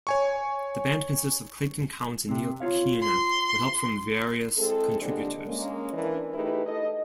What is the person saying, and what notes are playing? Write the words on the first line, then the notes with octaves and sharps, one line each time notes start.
The band consists of Clayton Counts and Neil Keener, with help from various contributors.
C#5 G#5 C#6
C3 C4
F4 C#5 F5
C6
G#3 C4 E4 G#4 A4
A#2 D3 G3 G#3 D4
G#3 A#3 C#4
E3 D4 A#4
A3 D#4 E4 G4 G#4 B4
A4 D#5